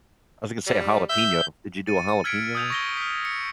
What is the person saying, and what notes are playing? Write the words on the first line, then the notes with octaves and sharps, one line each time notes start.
I was gonna say, jalapeno did you do a jalapeno one?
G3
E5 G6
A6 C#7 D#7
E6 F6 G#6 B6 C#7 D7
D#6 E6 G6 A6 F7
C#6 A#6 G7
F6 B6
C#7